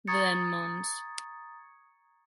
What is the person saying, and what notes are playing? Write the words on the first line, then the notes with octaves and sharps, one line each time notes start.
Then mons.
A#5 C#6 D#6 G#6 A6 C#7